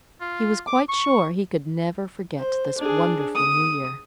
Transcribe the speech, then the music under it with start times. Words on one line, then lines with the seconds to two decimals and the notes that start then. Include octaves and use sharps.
He was quite sure he could never forget this wonderful New Year.
0.20 F4
0.67 D6
0.89 C#6
2.38 C5
2.78 D4 G#4
3.35 D#6